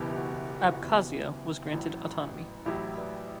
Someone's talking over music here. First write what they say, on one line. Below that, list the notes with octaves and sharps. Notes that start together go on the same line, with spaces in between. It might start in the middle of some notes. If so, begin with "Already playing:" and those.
Abkhazia was granted autonomy.
Already playing: F#1 E2 B2 E4 G4
G4
F#4
G4
F#4
E4
F#1 E2 B2 F#4
A1 A2 F#3
A1 A2 F#3 E4 G4
B4 D5